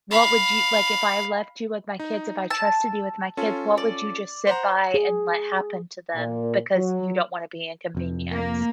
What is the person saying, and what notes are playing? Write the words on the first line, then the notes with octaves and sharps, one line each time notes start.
what would you like, if I left you with my kids, if I trusted you with my kids, what would you just sit by, and let happen to them because you don't want to be inconvenienced?
F5 B5
D#4
A5 E6
C#4 F4 A4
D5
C5 F#5 A#5
G#4
A#2
F#3
F1 F2
A#3